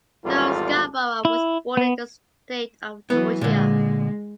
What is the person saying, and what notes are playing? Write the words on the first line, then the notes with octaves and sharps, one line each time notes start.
Joe Scarborough was born in the state of Georgia.
G#1 E2 G3 F4 A4
E4
B3
E3 F#3 B3
A#2 D3 G#3